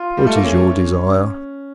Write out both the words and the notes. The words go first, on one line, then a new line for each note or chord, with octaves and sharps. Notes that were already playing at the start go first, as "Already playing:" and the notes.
"What is your desire?"
Already playing: F4
G3
A3
A#3
C#4